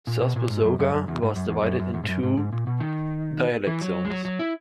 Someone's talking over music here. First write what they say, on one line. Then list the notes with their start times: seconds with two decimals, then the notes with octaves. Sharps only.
Thus Busoga was divided into two dialect zones.
0.07 A#2
0.22 B2
0.36 A#2
0.50 G#2
0.65 F#2
0.79 F#2
0.94 F#2
1.08 E2
1.22 G#2
1.36 F#2
1.49 E2
1.62 F#2
1.80 F#2
1.94 E2
2.04 G#2
2.09 F#2
2.23 G#2
2.37 G#2
2.53 A#2
2.67 B2
2.80 D#3
3.67 E3
3.81 F#3
4.05 G#3
4.10 F#3
4.25 F#3
4.39 E4